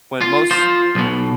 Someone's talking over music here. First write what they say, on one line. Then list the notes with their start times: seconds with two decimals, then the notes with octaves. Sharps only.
when most
0.21 F4
0.51 F4 C5
0.95 B1 B2